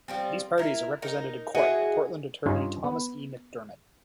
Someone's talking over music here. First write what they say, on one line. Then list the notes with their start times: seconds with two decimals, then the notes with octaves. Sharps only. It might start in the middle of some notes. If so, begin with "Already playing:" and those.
These parties are represented in court by Portland attorney Thomas E. McDermott.
0.08 F3 G3 C4
0.58 E4 A#4
1.02 D#4 A#4
1.55 E4 F#4 G#4 D#5
2.46 G2 C#4 D#4 F4 G#5
2.84 B3